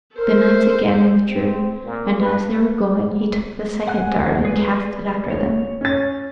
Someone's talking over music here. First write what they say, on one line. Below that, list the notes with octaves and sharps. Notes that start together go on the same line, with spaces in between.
The knights again withdrew, and as they were going he took the second dart and cast it after them.
A4 A#4 C5
C4
A#2
B4
F#5 G#5 F#6
G#4 B4 D5
C#5
C#4 A6